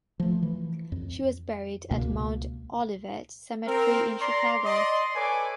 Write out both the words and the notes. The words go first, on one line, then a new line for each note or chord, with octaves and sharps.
She was buried at Mount Olivet Cemetery in Chicago.
F3 A3
E3
F2
C#2 B2 A#3
C4 A#4
D5 A#5 C6
D5 D#5 C6
A4 B4 C#5 D5 G#5 D6